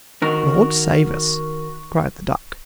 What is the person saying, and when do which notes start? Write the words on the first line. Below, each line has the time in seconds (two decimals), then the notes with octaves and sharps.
"Lord save us!" cried the duck.
0.22 D#3 F#4 A#4